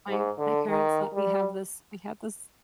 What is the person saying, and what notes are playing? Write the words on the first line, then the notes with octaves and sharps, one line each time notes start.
my my parents let me have this we had this
G#2
D3
D#3
G3